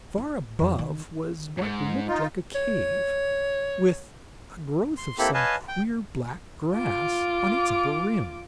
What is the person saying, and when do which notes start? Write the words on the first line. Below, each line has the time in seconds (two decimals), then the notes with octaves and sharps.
Far above was what looked like a cave, with a growth of some queer, black grass on its upper rim.
0.18 E4
0.59 F2
0.79 D#3
1.58 F2 G#2
2.07 D#4 F4
2.55 C#5
4.97 C6
5.18 A#3 C4 E4 G4 A4 B5
5.34 B4 C#5 D#5 F5 G#5 A5
5.68 G5
6.74 F4 D6